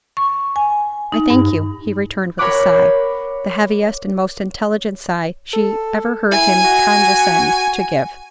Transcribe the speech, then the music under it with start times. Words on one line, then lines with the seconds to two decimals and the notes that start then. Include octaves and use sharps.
"I thank you," he returned with a sigh--the heaviest and most intelligent sigh she ever heard him condescend to give.
0.17 C#6
0.56 G#5
1.12 D#4
1.30 G2
2.38 A#4 C#5 F#5 B5 D6 F#6
5.53 A4
6.31 E4 G#5
6.64 F#4